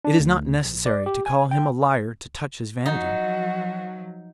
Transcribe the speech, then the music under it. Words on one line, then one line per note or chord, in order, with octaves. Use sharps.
It is not necessary to call him a liar to touch his vanity.
D4
D2
A#1
D5
G4
G#5
G5
F3 F#3 D#4 F#4